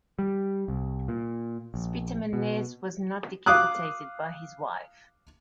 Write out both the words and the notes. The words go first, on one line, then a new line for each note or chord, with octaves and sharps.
Spitamenes was not decapitated by his wife.
G3
C2
A#2
A#1
B2
F5 D6 D#6 F#6